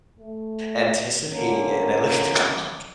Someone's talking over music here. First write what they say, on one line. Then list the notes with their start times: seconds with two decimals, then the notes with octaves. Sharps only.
anticipating it. And I look at the clock,
0.19 A3
1.30 D3 A#3 C#4